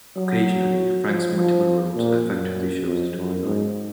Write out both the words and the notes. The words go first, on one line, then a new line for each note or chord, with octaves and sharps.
Occasionally, Frank's multiple roles affected the show's storyline.
F#3
F3
F3
A#2
F#2
F2
F#2
G#2